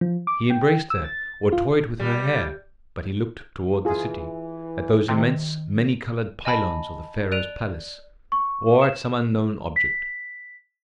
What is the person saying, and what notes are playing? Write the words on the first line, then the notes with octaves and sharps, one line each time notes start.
He embraced her, or toyed with her hair, but he looked toward the city, at those immense many-colored pylons of the pharaoh's palace, or at some unknown object.
F3
D6
G5
E6
A6
F4
G3
E3 F4 G#4
C3 D#3
D#5 G#5 A5 B5
D5 F#6 D7 D#7 F7
C#6
E7
B6